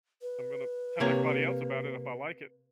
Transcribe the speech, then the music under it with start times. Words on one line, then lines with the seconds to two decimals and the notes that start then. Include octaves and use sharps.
I'm gonna tell everybody else about it if I like it."
0.22 B4
1.00 C3 A#3 C#5